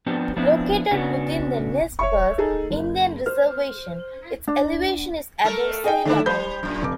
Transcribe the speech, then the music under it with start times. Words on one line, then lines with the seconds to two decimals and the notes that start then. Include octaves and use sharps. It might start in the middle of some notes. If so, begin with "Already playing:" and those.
Located within the Nez Perce Indian Reservation, its elevation is above sea level.
0.06 F3 B3 C4 D4 G4
0.36 F3 B3 C4 D4 E4
0.91 C#3 B3 D4 F#4
1.99 C#5 E5 C#6
2.38 D#4 G#4 A4
2.71 F#1
3.26 C5 F6
4.48 D4
5.45 A3 A4 A#4
5.84 G#4 D#5 G5
6.05 D3 A3 D4 E4
6.26 G3 C5 B5 G6
6.63 F#2 A#2
6.82 F1 D6